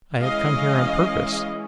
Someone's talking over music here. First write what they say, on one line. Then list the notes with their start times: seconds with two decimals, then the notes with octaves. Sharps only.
I have come here on purpose.
0.21 E3 G#3 C#4 E4 D#5 F5